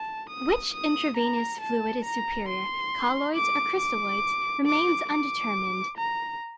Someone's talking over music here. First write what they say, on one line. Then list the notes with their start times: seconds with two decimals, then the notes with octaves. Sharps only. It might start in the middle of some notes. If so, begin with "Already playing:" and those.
Which intravenous fluid is superior, colloids or crystalloids, remains undetermined.
Already playing: A5
0.29 D#6
0.74 D#6
1.17 A#5
1.61 A5
2.05 A#5
2.48 C6
3.35 D6
3.79 D6
4.66 D6
5.09 D6
5.98 A#5